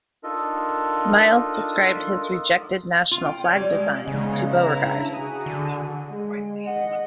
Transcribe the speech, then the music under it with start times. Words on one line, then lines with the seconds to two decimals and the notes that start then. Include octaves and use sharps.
Miles described his rejected national flag design to Beauregard.
0.23 D4 D#4 F4 A4 A#4 D#5
3.11 F4
3.26 G5
3.44 C#5
3.56 G3
3.72 G#3
4.08 C#3 G#3 B3 C#4 D#4
4.48 E4 B4 A#5
4.81 D4
5.14 F#4 G#4 G#5
5.46 D3
6.08 G#3
6.65 D#5 F#5